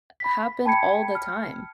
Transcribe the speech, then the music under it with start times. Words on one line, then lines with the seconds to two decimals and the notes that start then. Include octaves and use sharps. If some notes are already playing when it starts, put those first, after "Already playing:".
happen all the time.
0.20 B5 B6
0.65 G5 A5 B5 G#6 C#7
1.15 F6